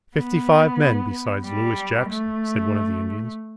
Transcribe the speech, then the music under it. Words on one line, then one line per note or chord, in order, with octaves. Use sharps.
"Fifty-five men besides Louis Jackson," said one of the Indians.
B3
G3
A3